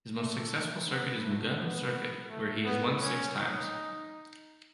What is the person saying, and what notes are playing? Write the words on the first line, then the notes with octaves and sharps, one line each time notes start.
His most successful circuit is Mugello Circuit where he has won six times.
A3
B3
A3
B3
A3
B3
C#4
D#4